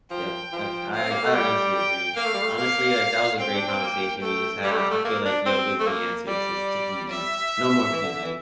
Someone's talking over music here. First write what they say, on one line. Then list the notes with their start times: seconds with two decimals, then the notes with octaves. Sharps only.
yep, I I I I honestly, agree. Honestly, like, that was a great conversation we just had, I I feel like yoga’s the answer to s to PE. No more PE.
0.11 F3 G5
0.52 F3
0.93 F5
0.99 C4
1.10 A#3
1.23 A3
1.34 G3 G5
1.76 G5
2.16 A#3 F5
2.25 A3
2.34 G3
2.42 A3
2.57 A#3 F5
3.40 C4 G5
3.54 D4
3.67 C4
3.82 A#3
4.22 A3 G5
4.63 G3 D5
4.71 A3
4.77 G3
4.91 A3
5.05 A#3
5.25 D4
5.46 C4
5.80 A3
5.87 A#3
6.27 G3 D5
7.10 E5
7.92 E3
8.02 D3
8.13 D3
8.23 E3